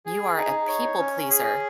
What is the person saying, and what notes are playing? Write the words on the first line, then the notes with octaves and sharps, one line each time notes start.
You are a people pleaser.
G#4
D#4
C#5
C#4
G#4